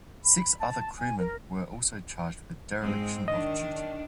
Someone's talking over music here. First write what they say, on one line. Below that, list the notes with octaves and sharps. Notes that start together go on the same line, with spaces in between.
Six other crewmen were also charged with dereliction of duty.
B5
A5
G#5
A#4
G#2 G#3 C4
D#3 D4 D#5